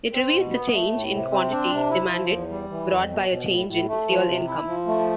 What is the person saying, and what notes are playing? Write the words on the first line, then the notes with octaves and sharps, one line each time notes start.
It reveals the change in quantity demanded brought by a change in real income.
C4
B2
B3
A3
A2
C3
C4
D4
C3
E4
F3
E2
G3
E3
F2
B2
B2
A2
A2
A3
F3
C3
E4
F3
A3